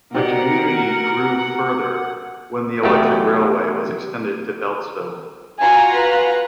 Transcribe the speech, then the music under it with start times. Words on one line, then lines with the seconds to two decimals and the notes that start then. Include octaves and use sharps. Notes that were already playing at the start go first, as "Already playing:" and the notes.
The community grew further when an electric railway was extended to Beltsville.
0.14 B2 C4 D#4 G4 A#4 D5 F#5
2.83 B1 E2 F#3 A3 G4
5.59 F4 F#4 G#5 A#5
5.93 B4